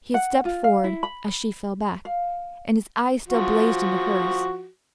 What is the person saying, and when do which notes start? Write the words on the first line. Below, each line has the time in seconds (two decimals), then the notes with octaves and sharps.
He had stepped forward as she fell back, and his eyes still blazed into hers.
0.14 F#5
0.45 F4
0.64 F5
0.84 E4
1.03 B5
2.05 F5
3.28 F3 F#4